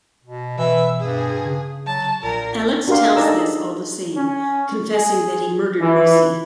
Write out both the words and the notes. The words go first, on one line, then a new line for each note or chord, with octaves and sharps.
Alex tells this all the same confessing that he murdered Mosi.
B2
B2 E3 E5
G2 G#4
C#3
F#3 A5
A#1 A#2 A#4
D4 F#4 G4 A#4 F5 C6
D#4 G#4 A4 D5 A#5 E6
C#4
G#4
E3